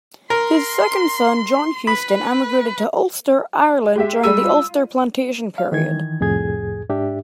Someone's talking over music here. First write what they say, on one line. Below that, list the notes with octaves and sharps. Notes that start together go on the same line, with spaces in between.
His second son John Houston emigrated to Ulster, Ireland during the Ulster plantation period.
A#4 C6
B4 B5
G#3 G4 E5
G3 G#3 E6 D#7
F4
F5
D#3 E3 G#6
C2 F2 A2 G#4 G#6
G#2 D4 G4 E5